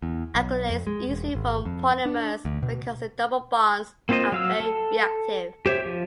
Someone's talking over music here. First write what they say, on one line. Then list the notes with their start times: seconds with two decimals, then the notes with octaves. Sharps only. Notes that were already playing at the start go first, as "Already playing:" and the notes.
Acrylates easily form polymers because the double bonds are very reactive.
0.02 E2
0.35 B1
0.70 F2
0.87 G#3
1.09 E1
1.35 G#1
1.65 F2
2.05 D4
2.45 D2
2.63 B2
4.09 A#3 C4 F4 C5 D#5
4.32 F#3 F5 E6
4.60 A4
5.66 G4 C5 C#5 E5
5.86 F3